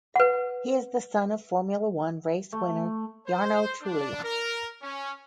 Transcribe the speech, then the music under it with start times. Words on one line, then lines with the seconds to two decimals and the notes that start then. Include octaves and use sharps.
He is the son of Formula One race winner Jarno Trulli.
0.16 B4 F#5
2.52 A3
3.27 C5
3.82 D4
4.23 A#4
4.82 C#4